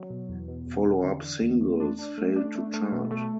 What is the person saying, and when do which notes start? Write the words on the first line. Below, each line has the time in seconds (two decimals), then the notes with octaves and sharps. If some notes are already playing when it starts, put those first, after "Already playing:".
Follow-up singles failed to chart.
Already playing: F#3
0.10 B2
0.29 E2
0.48 B2
0.66 E2
0.86 E2
1.04 D3
1.23 D3
1.42 E2
1.61 A3
1.80 D4
1.99 D4
2.18 A3
2.36 D4
2.55 A3
2.74 A3
2.92 B2
3.11 A3